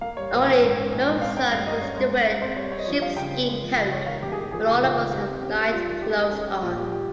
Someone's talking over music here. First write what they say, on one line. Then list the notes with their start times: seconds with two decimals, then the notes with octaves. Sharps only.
Only Luvsan used to wear sheepskin coat, when all of us had light clothes on.
0.01 A#3 F5
0.17 G3 C#5
0.32 A#1 C5
0.42 F5
0.46 D#3 G5
0.61 G#2
0.77 C#4
0.92 A#1
1.07 G#3
1.22 C4 F5
1.37 G#3 G5
1.52 G2 F5
1.66 A#3 D#5
1.82 C#4 C#5
1.97 G#3
2.11 C#4
2.27 A#3
2.42 C4 C5
2.56 G3 C#5
2.72 C4 C#5
2.79 D#5
2.86 F3 C#5
3.02 G3 F5
3.17 C#3 G5
3.32 C4
3.47 G#3
3.61 F3
3.77 C#3
3.92 G#3 C#5
4.06 D#3 F5
4.22 G1 G4
4.32 G#4
4.37 D#3 G4
4.51 F3 G#4
4.67 C#3 G#4
4.82 C#2 F4
4.97 D#3
5.12 D#4 G4
5.27 C4
5.42 C#4 G4
5.57 A#3
5.72 G3 F4
5.87 D#3
6.02 D#4 G4
6.17 A#3
6.32 C#4 G#4
6.47 G3 G4
6.62 A#1 F4
6.77 G3 G4
6.92 F3 G4